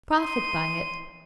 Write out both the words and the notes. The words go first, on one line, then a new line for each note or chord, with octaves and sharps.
Profit by it.
C6 D#7